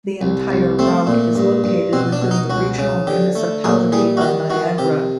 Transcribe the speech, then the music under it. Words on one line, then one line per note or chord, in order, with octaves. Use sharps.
The entire route is located within the Regional Municipality of Niagara.
C2
C2
A3 C4
A#2
G2
G2
B2 C4
D4
B2
D#4
C#2 F#4
C#3
D3 G4
A3
A#2 G#4
G3 G#4
F#4
D#3 G4
D#3 F#4
C3 G4